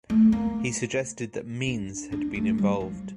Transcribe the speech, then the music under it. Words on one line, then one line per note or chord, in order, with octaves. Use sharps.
He suggested that Means had been involved.
A3
A#3
D4
D4
A3
G3
F3